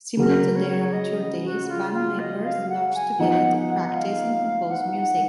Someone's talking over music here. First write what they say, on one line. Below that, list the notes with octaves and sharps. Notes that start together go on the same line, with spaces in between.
Similar to their amateur days, band members lodged together to practise and compose music.
C#3 F#3 C#4 A#4
C#5
D#5
F#4
F4
F4
D#5
F5
F#5
G#5
F3 B3 D#4 F#5
F#5
F5
F#5
F#5